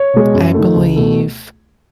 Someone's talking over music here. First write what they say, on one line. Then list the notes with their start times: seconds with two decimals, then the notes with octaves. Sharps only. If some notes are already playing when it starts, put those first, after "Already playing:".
I believe,
Already playing: C#5
0.14 B2 G#3
0.33 F#2
0.54 D#3 A3
0.75 C#2
0.96 B2 A3